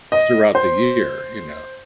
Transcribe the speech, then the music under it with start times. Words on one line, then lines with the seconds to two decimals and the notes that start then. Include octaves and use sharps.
throughout the year, you know?
0.12 D#5
0.55 C5